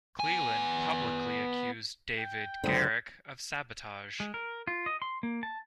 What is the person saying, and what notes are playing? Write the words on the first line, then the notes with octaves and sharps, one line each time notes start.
Cleland publicly accused David Garrick of sabotage.
B3 G#5
G5
C#2 F#2 D3 C4
G#3
A#4
F4
D#5
C6
A#3
A5